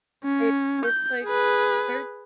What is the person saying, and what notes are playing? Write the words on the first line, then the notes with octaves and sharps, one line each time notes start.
they it's like, uh, they're, t
C#4
G6
G#4 B4